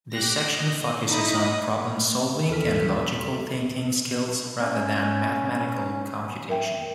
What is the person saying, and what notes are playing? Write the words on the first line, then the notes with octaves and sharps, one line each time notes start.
This section focuses on problem solving and logical thinking skills rather than mathematical computation.
G4 F#6 A#6
D#5
D#4 E4 D#5 B5 D#6
D#2 A4 F6 B6
C#4 D5
A#4 E5 G5